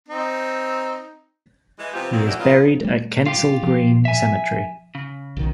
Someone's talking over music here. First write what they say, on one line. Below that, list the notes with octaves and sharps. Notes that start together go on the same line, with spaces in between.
He is buried at Kensal Green Cemetery.
C4 D#4
E3 G#3
C3 F3 B3 C4 F4 G4
D3 D#3 F#3 G3 A#3 C4
A3 C#4 D4 E4 F#4 G4
D#3 B3 D#4 F4
G3 A3
F4 G4
F3
E5 G#5
C#3
B1 B2 D#3